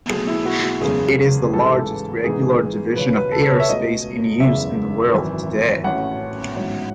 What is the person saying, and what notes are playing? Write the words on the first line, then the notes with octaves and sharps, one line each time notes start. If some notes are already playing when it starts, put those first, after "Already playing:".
It is the largest regular division of airspace in use in the world today.
B1 B2 A3 G#4
E4
F#4
F#4
F#1 E2 C#3 G#3 G#4
A1 G#2 E3 G#3 A4
G#2 E3 B3 D#4 G#4
E1 D#2 C#3 F#3 C#4 B4
B4
A4
C#5
E5
C#2 B2 A3 C#4 D#5
F#1 E2 C#3 G#3 E5
G#1 F#2 E3
A1 A2 F#3 A3 C#4 F#5
A1 G#2 F#3 C#4